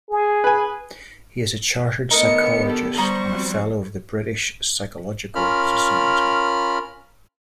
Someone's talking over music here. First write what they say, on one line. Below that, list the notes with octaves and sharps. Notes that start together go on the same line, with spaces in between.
He is a Chartered Psychologist and a Fellow of the British Psychological Society.
G#4
B4 G#5
D3 A3 B3 D#4 A#4 D#5 C#7
G4 A4
G3 C5 A#5 C#6 D#6
F3 F#3 C4
C#4 F4 A#4 B5 F6